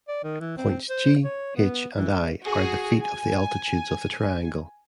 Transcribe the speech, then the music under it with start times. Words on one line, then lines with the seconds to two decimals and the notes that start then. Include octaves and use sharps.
Points "G", "H", and "I" are the feet of the altitudes of the triangle.
0.08 D5
0.24 D#3
0.40 E3
0.58 C4
0.90 C5
1.24 C#5
1.56 B3
1.98 E3
2.42 F#4 G#4
3.01 G#5